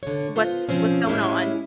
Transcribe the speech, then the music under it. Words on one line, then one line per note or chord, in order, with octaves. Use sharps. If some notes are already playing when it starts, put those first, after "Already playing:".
what's what's going on.
D3 C#5
B3 F4 C5
B2 F3 C4 C#4
A2 G3 G#3 C4 C#4 E4